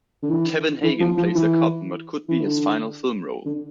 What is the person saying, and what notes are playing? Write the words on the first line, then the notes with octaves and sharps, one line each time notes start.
Kevin Hagen plays a cop in what would be his final film role.
D3
E3
E3
F3
F3
E3
E3
D3
D3